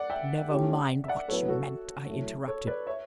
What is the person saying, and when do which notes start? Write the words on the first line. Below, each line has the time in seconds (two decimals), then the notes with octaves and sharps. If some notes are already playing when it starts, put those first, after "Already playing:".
"Never mind what you meant!" I interrupted.
Already playing: D5 F#5
0.10 E5 G5
0.50 A3 C#4 E4 G4
1.04 E5
1.08 D5 F#5
1.28 A2 F#3 B3 A4 C#5
1.48 F#4 A4
2.08 A2 F#3 A3
2.47 A4 C#5
2.67 B4 D5
2.87 C#5 E5